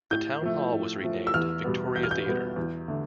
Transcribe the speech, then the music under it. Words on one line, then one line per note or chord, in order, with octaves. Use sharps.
The town hall was renamed Victoria Theatre.
A2 G6
F3 A3
A2
F3 A3
E6
E2 F6
B2 G3 B3
E2 G6
F6
G6
B2 G3 B3
E2
D3 A3